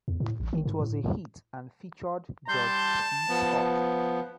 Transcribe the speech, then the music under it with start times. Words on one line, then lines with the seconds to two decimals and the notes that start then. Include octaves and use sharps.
It was a hit and featured George C. Scott.
0.08 E2
0.20 A2
0.40 A1
0.53 D#3
0.65 G#2
0.80 A2
2.48 G3 A5 C6 G6
3.28 F3 B3